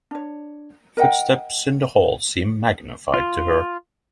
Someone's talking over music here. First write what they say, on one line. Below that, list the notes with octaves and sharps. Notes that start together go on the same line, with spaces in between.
Footsteps in the hall seem magnified to her.
D4 C#5
A#4 D#5 F#5 G5
F4